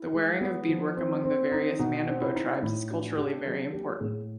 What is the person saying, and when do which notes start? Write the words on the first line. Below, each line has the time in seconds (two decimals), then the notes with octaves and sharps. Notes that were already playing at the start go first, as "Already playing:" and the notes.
The wearing of beadwork among the various Manobo tribes is culturally very important.
Already playing: E4
0.14 G#3
0.41 B3
0.69 F3
0.97 C4
1.24 C4
1.52 D#4
1.79 B2 D#4
2.07 C4
2.21 E4
2.35 D#4
2.63 A2 E4
2.90 D4 F#4
3.18 D4 G4
3.45 F#3 G#4
3.73 A#3 G4
4.00 A2 G#4